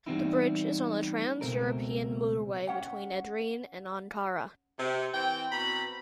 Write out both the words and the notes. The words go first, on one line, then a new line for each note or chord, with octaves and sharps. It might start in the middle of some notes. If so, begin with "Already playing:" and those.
The bridge is on the Trans-European Motorway between Edirne and Ankara.
E3 G3 B3 C4 D#4 E4
C#2 G2 B2 A3 C4 A#4
C#4 F#5 G5
C3
E3 C4 G5
B2 C4 A#5 B5